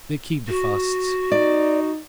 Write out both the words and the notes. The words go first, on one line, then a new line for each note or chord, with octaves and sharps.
They keep the fasts.
F#4
D#4 D5